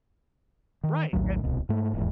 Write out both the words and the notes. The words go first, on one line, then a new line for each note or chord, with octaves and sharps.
Right, and
D#3
A#1 D#2 A2 F#3
D1 C2 B2
G#2 A3
D#1 E2 G#2